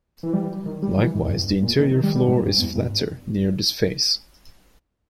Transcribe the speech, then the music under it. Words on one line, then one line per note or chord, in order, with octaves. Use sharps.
Likewise the interior floor is flatter near this face.
E3
G3
D#3
G3
E3
G#2
E2
G2
A#2
D#3
D#3
G3
G3
G#2
G2
E2
G2